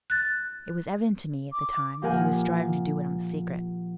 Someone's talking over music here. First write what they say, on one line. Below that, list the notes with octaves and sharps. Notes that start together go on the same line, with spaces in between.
It was evident to me at the time that he was striving to do it on the secret.
F#6 A6
D6
A#2 F3 G4 A#4 F#5 G#5